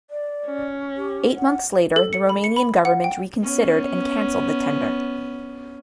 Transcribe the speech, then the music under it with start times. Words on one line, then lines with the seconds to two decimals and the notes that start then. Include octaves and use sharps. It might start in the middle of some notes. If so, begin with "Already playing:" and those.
Eight months later the Romanian Government reconsidered and cancelled the tender.
0.10 D5
0.46 C#4
0.97 G4
1.36 F#5
1.96 A4
2.13 C#7
2.29 B5
2.44 C#7
2.56 B5
2.85 F#5
3.04 G5
3.41 B3 C#4